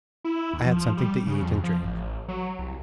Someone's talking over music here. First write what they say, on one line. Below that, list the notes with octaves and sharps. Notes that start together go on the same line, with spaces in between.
I had something to eat and drink.
E4
D#2
F3
G3
C#3
F2
F3
A1
F#3
C2